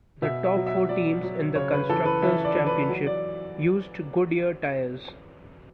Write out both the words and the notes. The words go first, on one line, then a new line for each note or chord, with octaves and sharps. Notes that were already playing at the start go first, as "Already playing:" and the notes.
The top four teams in the constructors' championship used Goodyear tyres.
B2 E5
E5
F#3
E5
F#3 D5
F#3
C#3 C#5
B4
E3 A4
B4
E3 E5
D5
E3
B4
F#3
D5